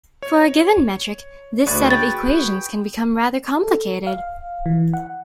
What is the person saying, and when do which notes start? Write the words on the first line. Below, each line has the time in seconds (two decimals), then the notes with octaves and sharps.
For a given metric this set of equations can become rather complicated.
0.22 C#5
1.67 D2 F#4 G#4 B4 D5
1.91 G5 A6
3.63 A4
4.07 F5
4.66 E3
4.93 F#5